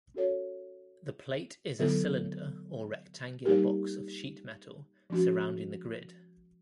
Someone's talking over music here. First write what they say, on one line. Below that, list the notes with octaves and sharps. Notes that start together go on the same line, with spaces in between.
The plate is a cylinder or rectangular box of sheet metal surrounding the grid.
C#4 F#4 A4 C#5
D3 F#3 B3 E4 A4
G3 A#3 D#4 G4 A#4
F3 G#3 C#4 F#4